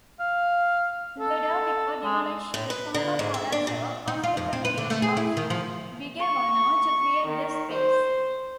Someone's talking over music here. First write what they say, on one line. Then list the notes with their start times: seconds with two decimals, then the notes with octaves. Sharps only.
Ludovico demolished the former palazzo of the commune of Vigevano to create the space.
0.20 F5
1.20 A4
2.04 G#3
2.54 A2
2.70 B4
2.94 D3
3.19 G#2
3.34 E5
3.52 D4
3.67 A#2
4.08 D#4
4.24 F4
4.37 F2
4.53 C4
4.65 B4
4.78 D3
4.90 A3
5.02 G#4
5.17 E4
5.37 D#3
5.50 F3
6.19 C#6
7.27 D#3
7.72 C5